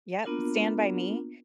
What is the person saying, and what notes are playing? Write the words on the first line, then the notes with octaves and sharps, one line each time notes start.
Yep, Stand By Me,
A#3 B3 D4 F4 F#4 A#4